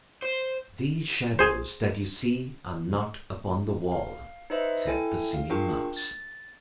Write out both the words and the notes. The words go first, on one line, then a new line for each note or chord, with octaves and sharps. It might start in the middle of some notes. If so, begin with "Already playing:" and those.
"These shadows that you see are not upon the wall," said the Singing Mouse.
C5
G#4 C5
F5
D#4 B4 C5 D#5 E5
E4 A4 G5 G#5
F5
D4 F4 G#4 A#4 G5 C#6
A6